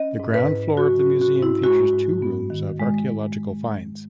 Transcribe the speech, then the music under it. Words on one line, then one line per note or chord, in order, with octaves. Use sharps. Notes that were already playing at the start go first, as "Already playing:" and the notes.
The ground floor of the museum features two rooms of archaeological finds.
Already playing: C#4 D#5
G#2
B4
E4
F#3 F#4
F#4
C#4
F#4
G#2
E4
G#3 F#4
G#2
B3
D#3
G#3